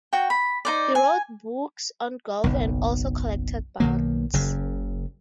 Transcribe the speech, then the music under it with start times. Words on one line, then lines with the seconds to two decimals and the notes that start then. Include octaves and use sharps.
He wrote books on golf and also collected ballads.
0.13 F#4 G5
0.30 B5
0.65 D#4 C5 D5
0.95 G#5
2.44 F#1 B1
3.80 B1 D#3 A#3
4.33 F#1 F#2 C#3